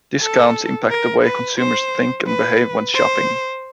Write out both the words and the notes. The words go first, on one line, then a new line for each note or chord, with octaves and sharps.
Discounts impact the way consumers think and behave when shopping.
A4
A#4
B4
C5
B4
C5